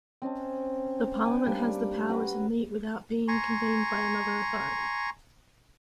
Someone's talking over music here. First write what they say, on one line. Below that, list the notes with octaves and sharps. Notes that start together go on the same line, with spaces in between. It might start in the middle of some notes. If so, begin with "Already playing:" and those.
The Parliament has the power to meet without being convened by another authority.
C4 C#4 D#5 A5
D4 G5 G#5
G3 A#3 D4
C#4 F#4 B4
G#5 A#5 C6 C#6